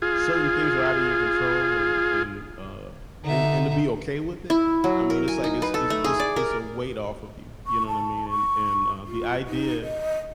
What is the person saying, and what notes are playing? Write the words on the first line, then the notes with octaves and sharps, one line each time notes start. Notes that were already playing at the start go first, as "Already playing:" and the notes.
certain things are outta your control and and, uh and and to be okay with it, I mean, it's like it's it's it's it's a weight off of you, you know what I mean? And and, uh, the idea
F4 G#4
D3 D#4 E5
E4
F#3
A#4
G#5
D#4
B4
A4
A3
G#4
D5
A#4
C#6
A5
C#6
F4
D#4
D#5